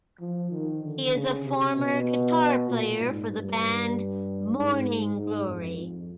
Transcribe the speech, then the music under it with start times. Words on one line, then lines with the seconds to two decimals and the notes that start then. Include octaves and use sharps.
He is a former guitar player for the band Morning Glory.
0.20 F3
0.51 D#3
0.82 D3
1.13 C#3
1.44 C3
1.75 B2
2.68 A#2
2.99 G#2
3.30 G2
4.54 G#2
5.16 G#2
5.47 F2
5.78 F2